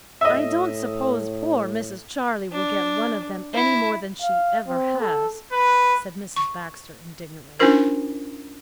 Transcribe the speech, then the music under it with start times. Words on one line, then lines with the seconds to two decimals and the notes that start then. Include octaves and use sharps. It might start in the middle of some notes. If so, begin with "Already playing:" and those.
"I don't suppose poor Mrs. Charley will get one of them any more than she ever has," said Mrs. Baxter indignantly.
0.21 A2 D#5 E5
2.53 D4
3.55 E4
4.22 F5
4.68 C4
5.00 A4
5.52 B4
6.36 C#6
7.59 C#4 D4 E4 F4 A#4 C5